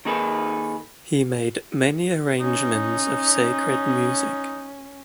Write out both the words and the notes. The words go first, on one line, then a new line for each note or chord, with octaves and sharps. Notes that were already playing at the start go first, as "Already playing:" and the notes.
He made many arrangements of sacred music.
D#3 A#3 D#4 G#4 A4 B4
C#4 D#4